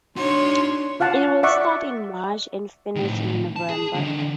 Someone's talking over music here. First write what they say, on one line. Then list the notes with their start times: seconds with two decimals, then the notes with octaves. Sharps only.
It will start in March and finish in November.
0.17 D4 D#4 F#4 C#5 C6
1.00 F4 F5 F#5 A5
1.43 D5 E5 F#5 C#6
2.96 A2 D#3
3.56 A5
3.70 G#4
3.95 D3 D#3